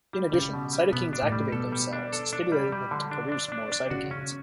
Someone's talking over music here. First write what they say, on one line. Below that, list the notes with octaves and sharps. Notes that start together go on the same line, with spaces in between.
In addition, cytokines activate those cells, stimulating them to produce more cytokines.
G3
C#3 G3
B2
G3
B2 B3
D4
A2
G3
B2 A4
G3
D4
A4
D4
G3
G3
D3
D4
D4
D4
D4
C#3 F#4
C#4